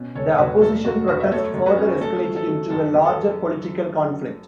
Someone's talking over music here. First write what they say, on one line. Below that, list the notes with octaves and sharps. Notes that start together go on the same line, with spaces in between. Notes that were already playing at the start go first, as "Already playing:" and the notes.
The opposition protest further escalated into a larger political conflict.
Already playing: B2 C#4
E1 A4 C#5
C#5
E1 F#4 B4
F#2 A4
F#2 F#4
F#2 F#4 B4
E5
A3 A4 C#5
F#2
F#4 B4
C#4
A3 A4
F#3
A4
F#3
F#2 A4
F#2 B4
A4